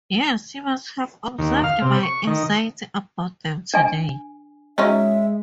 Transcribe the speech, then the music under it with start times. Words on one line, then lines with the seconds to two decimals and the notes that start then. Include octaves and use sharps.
Yes; you must have observed my anxiety about them today.
1.39 D#2
1.64 F5
1.82 C3
2.03 C#6
2.27 D#3
3.74 D4 G#5
4.78 F#3 G#3 C#4 D#4 E5